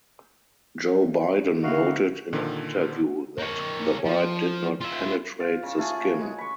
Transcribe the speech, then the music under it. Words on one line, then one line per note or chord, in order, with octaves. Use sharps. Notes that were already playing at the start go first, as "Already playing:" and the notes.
Joe Biden noted in an interview that the bite did not penetrate the skin.
D3 D#4 E4 F#4 F5
A#2 D3 D#3
A#3 C#5
F3
F4 E5
F4
C#3 F4
A3 F4 F#4 G#4
F#4
G#3 F#4
B5 C#6